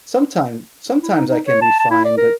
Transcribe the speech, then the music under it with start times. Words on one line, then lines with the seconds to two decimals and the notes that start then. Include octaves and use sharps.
Sometime sometimes I can be fine but,
1.02 E4
1.16 D#4
1.30 D#4
1.47 C#5
1.61 A5
1.79 A5
1.90 E4
2.05 D5
2.17 A#4